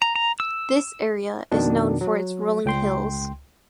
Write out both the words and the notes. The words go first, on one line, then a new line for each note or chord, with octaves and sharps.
This area is known for its rolling hills.
A#5
A#5
E6
F2 B2 D#3 D4
F#3
C#2 G5 C6